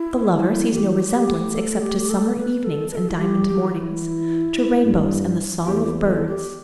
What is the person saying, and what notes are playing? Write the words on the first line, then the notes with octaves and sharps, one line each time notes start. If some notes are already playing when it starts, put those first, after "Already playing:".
The lover sees no resemblance except to summer evenings and diamond mornings, to rainbows and the song of birds.
Already playing: E4
G3
E3 G4
A3 G4
A4
G4
A4
B4
A4
B4
A4
E4
G3 G4
G4
E3
E4
G2
E2 G4
E4
A4
G4
G4